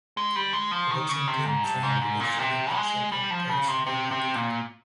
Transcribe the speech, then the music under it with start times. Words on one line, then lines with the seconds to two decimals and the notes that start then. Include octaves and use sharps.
The boxing team trained with Australian consultant coach Don Abnett.
0.17 G#3
0.36 G3
0.53 G#3
0.71 F3
0.91 D#3
1.09 C#3
1.28 C3
1.45 G#2
1.64 G2
1.83 G#2
2.01 G#2
2.20 A#2
2.38 C3
2.75 G#3
3.12 G3
3.31 F3
3.49 C#3
3.68 C3
3.86 C3
4.11 C3
4.35 A#2